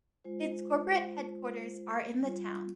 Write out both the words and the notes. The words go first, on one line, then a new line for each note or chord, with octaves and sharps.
Its corporate headquarters are in the town.
G#3 F4 C5
G3 F4